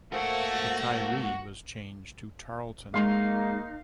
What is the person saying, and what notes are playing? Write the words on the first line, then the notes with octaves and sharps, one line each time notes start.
The Tyree was changed to Tarleton.
G#2 A3 A#3 F#4 A#4 C5 F5
G#3 A#3 D#4 F5 C6